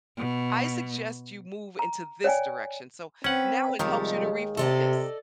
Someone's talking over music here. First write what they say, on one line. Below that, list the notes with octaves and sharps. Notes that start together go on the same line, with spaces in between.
I suggest you move into this direction." So now it helps you to refocus.
B2
A#5
C#5 D5 G5 G#5
C4 C#4 B4 F#5
D#2 C3 D#3 F3 G3 G#3
C3 A4 D5 D#5